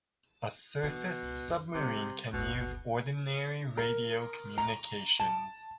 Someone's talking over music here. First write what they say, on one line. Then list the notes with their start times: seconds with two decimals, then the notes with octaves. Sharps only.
A surfaced submarine can use ordinary radio communications.
0.83 B2 E3
1.23 C#2
1.48 F#2
1.74 C3 G3 D4
2.33 G1 D2 B2
3.78 A#4
4.58 A#5
5.20 A5